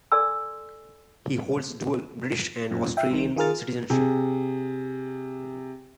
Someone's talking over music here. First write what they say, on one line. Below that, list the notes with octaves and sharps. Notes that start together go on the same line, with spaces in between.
He holds dual British and Australian citizenship.
A4 D5 G#5 C6 E6
F#2 A#2
E5 G5
C2 D#3
D#3 F4 G#4 A#4 F6 A6
C3 G#4